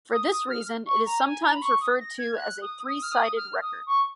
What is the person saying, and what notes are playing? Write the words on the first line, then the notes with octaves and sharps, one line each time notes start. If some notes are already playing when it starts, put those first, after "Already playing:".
For this reason it is sometimes referred to as a "three-sided" record.
D#6
D#6
F6
C#6
A#5
G#5
A#5
B5
C#6
D#6
A#6
G#6
F#6
D#6
D#6
F6
D#6
F6
D#6
C#6